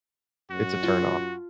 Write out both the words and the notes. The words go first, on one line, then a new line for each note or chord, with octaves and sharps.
it's a turnoff.
F#2 F#4
F4 A5